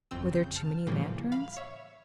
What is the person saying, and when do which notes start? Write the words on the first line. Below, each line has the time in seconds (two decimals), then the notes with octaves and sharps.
Were there too many lanterns?
0.11 G1 F2 C4 E6
0.31 C#3 G6
0.56 A5 F6
0.87 A2 C#3 E3 F3 G3 A#3
1.32 F5 B5
1.56 C#5 E5